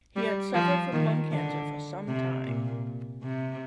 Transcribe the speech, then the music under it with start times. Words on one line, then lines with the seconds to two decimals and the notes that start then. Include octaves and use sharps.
He had suffered from lung cancer for some time.
0.16 G3
0.54 F3
0.93 D#3
1.31 D3
2.08 C3
2.46 A#2
3.23 C3